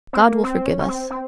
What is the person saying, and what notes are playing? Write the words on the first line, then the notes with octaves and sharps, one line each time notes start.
God will forgive us.
C4
A#3
C4
C#4
C#4
C4
C4